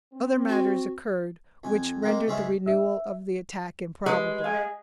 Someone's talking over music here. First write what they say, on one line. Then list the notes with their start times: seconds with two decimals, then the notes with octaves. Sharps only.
Other matters occurred which rendered the renewal of the attack improbable.
0.13 C4
0.48 F#4
1.64 F2 G#5
2.03 G#3 A#3 C4 D#4
2.27 C#2 G#2 G#3 G#4 C#5 E5
2.66 E5
4.06 G#3 G4 B4
4.44 F5 G#5